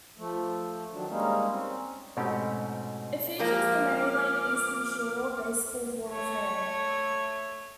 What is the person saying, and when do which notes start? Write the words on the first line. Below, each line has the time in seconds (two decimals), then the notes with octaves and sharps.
It features the Maryland Eastern Shore Baseball Hall of Fame.
0.18 F3 A3
0.92 D#3 F#3 D4
1.09 G3 G#3 A#3 C#4 D#4
1.50 C4 C#4
2.17 G#2 B2 A3 C4 C#4 G4
3.39 F3 G#3 A#3 D6 F6
6.10 A3 C#5